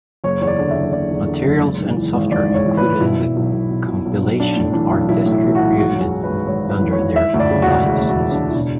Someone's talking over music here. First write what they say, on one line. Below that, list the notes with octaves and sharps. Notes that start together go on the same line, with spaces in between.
Materials and software included in the compilation are distributed under their own licenses.
F#1 C#5
E2 C#5
D5
D3
E5
F#1
F#1 D5
E2
D3
F#1
G#1
G#2
E3
G#1
G#1 D5
G#2 C#5
E3
B4
G#1
B2 E4
B2
B1
B1
B2
B2
B1
B1
B1 D4
A2
E3 D4
B1
B1 E4
A2
E4
E3
F#4
B1
G#1 F#4
F#2
G#4
E3
B4
G#1
G#1 C#5
F#2
B4
E3
C#5
G#1
E3 E5
D2
D5
C#3
F#4
E1
E3 F#4
D2
F#4
C#3
D4
E1
E4
B2 D4